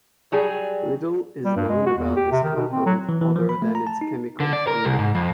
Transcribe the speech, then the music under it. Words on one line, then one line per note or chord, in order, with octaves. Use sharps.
Little is known about this compound other than its chemical formula.
F#3 G3 G#4
G3
G2
G#3
F#4
E2
G4
C3
D#3
B2
C4
F#3
E3
E3
F3
B5
A3
A#5
A5
D#4
D3
D5
A#4
C2
G#2
F2